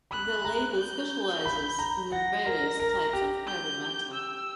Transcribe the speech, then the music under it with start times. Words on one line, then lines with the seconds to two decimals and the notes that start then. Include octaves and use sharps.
The label specializes in various types of heavy metal.
0.11 B5 F#6
0.45 A#5
0.78 G6
1.46 B5
1.79 A#5
2.12 F#5 A#6
2.46 A#4
2.80 A#4
3.13 G4
3.47 G6
4.14 E6